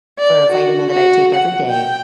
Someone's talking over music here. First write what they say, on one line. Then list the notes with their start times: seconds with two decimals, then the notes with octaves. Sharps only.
for a vitamin that I take every day,
0.19 D5
0.51 F#4
0.90 F#4
1.34 F#5
1.70 G5